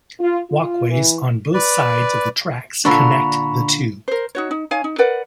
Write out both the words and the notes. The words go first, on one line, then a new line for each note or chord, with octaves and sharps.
Walkways on both sides of the tracks connect the two.
F4
F4
E3
B4 D5
A#2 D3 D4 A#5 B5 C#6
A#4 C5
D#4 F#4 C#5
D#4
D#4 C#5 F5 G#5
D#4
A#4 B4 D5 F#5